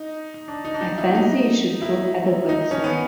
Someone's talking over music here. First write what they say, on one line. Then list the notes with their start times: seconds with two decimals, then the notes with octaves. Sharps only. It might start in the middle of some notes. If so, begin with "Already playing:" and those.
I fancy it should prove adequate, sir.
Already playing: D#4
0.48 D4
0.65 D#4
0.74 D4
0.81 D#4
0.98 E4
1.15 D#4
1.82 E4
2.49 D#4
2.71 C#4
2.84 B3